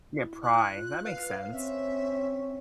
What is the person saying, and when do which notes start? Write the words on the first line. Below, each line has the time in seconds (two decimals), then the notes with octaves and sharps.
Yeah, pry, that makes sense.
0.13 E4
0.43 F#6
0.74 F4
1.05 B4 F5
1.52 C4 C#4 E5